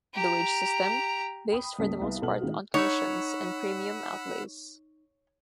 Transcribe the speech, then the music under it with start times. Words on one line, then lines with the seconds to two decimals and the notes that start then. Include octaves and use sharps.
The wage-system based for the most part on commissions and premium outlays.
0.14 G4 A#5
1.51 G5 B5 D#6
1.79 C#2 G2 C#3 A#3 A4 B6
2.01 C2 B3 F5
2.22 B2 A4 F#5 F6 F#7
2.40 A2 D#3 G#3 F4 F#4
2.74 D#4 C#5 F#5 B5 E6